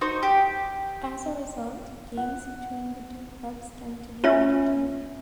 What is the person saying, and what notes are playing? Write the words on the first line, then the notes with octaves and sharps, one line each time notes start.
As a result, games between the two clubs tend to be entertaining.
D#4 F#4 C5
G4
F#5
C#4 F4 C#5 E5